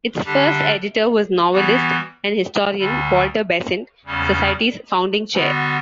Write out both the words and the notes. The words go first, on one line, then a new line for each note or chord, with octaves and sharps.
Its first editor was novelist and historian Walter Besant, the Society's founding Chair.
D3 G3 D4 G4
E3 G3 B3 F#4
D2 D3 G3
E2 C#3 G3 C#4
D3 G3 B3 F#4